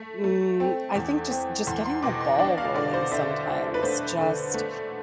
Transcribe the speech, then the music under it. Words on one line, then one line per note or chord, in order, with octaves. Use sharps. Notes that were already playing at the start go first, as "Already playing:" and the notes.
mm, I think, just just getting the ball rolling sometimes, just
Already playing: A3
A3
C4
E2
C4
E2 C6
C6
B2 D6
C6
D4 D5
F5
D3 D5
C5
D3 E5
D4
B4
A3 C5
D3
A3